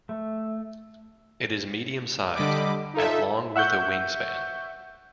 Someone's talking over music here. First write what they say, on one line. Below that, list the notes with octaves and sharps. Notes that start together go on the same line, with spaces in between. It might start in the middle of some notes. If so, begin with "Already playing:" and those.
It is medium-sized, at long with a wingspan.
A3
D3 G3 D#5 B5 D6
D#4 F4 A4 E5
E5 F#5 C#6 G6